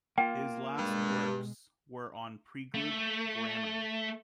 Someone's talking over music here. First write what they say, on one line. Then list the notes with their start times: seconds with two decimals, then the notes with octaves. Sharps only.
His last works were on pregroup grammar.
0.18 A#3 F4 G5
0.77 G2 B2 G#3
2.74 A3